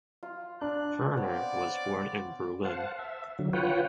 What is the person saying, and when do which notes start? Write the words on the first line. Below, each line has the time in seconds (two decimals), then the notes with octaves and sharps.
Ferner was born in Berlin.
0.23 F4
0.61 D4 F#6
1.17 B3 C4 C#5 D5
2.65 C5 F5 F#5 A5
2.99 E5
3.39 D3 F#3
3.53 F4 B4 C#5 F#5 G5